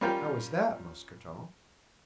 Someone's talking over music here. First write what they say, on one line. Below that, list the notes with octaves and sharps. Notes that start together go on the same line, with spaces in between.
"How is that, Mousqueton?"
G3 C#4 F4 A#4 G5